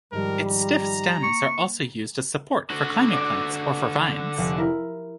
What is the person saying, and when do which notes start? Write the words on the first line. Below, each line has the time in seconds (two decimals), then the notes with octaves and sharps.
Its stiff stems are also used as support for climbing plants or for vines.
0.12 G#2 D#3 F3 G3 A#4
0.48 A#5
1.23 A#3 C#6
2.70 D3 F#4
3.13 D5 D6 A#6
4.38 F1
4.58 E4 A#4